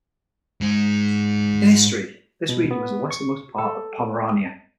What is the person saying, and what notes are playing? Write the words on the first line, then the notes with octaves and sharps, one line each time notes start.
In history this region was the westernmost part of Pomerania.
G#2 G#3
B2
B3
C#6
A4